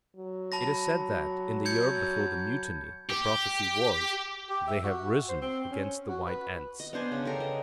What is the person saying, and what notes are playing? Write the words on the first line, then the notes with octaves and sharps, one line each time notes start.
It is said that, in the year before the Mutiny, the prophecy was "They have risen against the white-ants."
F#3
A5 B5 A#6
G6 G#6 C#7
G4
G4
E5
F#4
C5
C4
C#4
F#4
B4
D#5
B3 D4 C5 G#5
C#3
G4 A4 A#4
D#5